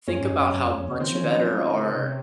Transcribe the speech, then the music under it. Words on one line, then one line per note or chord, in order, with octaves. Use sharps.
Think about how much better our
F#2 C#4
G#2
F#2
F#2
F2
F2
C#3
D#3 C4
F3 C#4
D#3
F3 D#4
F#3 F4
D#3
A#4
C#3
C3 C#5